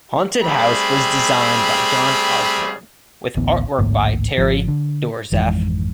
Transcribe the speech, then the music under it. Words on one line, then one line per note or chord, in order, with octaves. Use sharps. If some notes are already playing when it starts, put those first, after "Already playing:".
"Haunted House" was designed by John Osborne, with artwork by Terry Doerzaph.
G3 A3 C4 G#4 B5
A1 D2 E3 B3
A1 D2 G#2 A#3
G#1 F3
D3
G#1 F2 G#2 E3